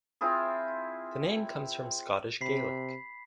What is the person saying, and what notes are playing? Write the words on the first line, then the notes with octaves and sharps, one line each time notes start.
The name comes from Scottish Gaelic.
C4 E4 F4 G#4
C3 B5 B6 C7